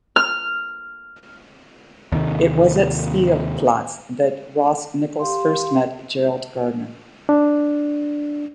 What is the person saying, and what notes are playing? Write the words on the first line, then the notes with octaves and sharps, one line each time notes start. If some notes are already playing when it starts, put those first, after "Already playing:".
It was at Spielplatz that Ross Nichols first met Gerald Gardner.
F6
D#2 C3 D#3
G4 F5 C6
D4